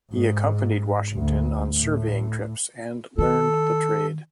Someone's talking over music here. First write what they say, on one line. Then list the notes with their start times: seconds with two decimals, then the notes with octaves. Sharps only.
He accompanied Washington on surveying trips and learned the trade.
0.12 G#2
1.15 D2
1.74 A2
3.18 D#3 A4